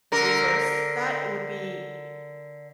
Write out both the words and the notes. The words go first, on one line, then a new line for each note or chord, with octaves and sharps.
reverse that, it would be
D3 A#4